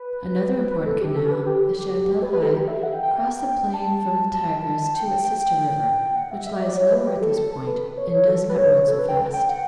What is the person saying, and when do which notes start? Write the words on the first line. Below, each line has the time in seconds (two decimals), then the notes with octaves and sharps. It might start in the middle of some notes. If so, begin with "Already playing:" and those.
Another important canal, the Shatt el Hai, crossed the plain from the Tigris to its sister river, which lies lower at this point, and does not run so fast.
Already playing: B4
0.71 B4
0.86 A4
1.01 G4
1.16 A4
1.31 B4
1.46 G4
2.22 B4
2.33 B4
2.42 A4
2.53 G4
2.68 E5
2.83 F#5
2.93 G5
3.03 G5
3.13 G5
3.74 A5
4.34 A5
4.95 G5
5.25 G5
5.40 G5
6.16 F#5
6.31 E5
6.46 E5
6.61 D5
6.77 C#5
6.92 B4
7.07 G4
7.22 A4
7.37 A4
7.52 A4
7.67 B4
7.98 C#5
8.28 A4
8.49 B4
8.58 C#5
8.88 A4
8.99 B4
9.09 G5
9.34 G5
9.49 F#5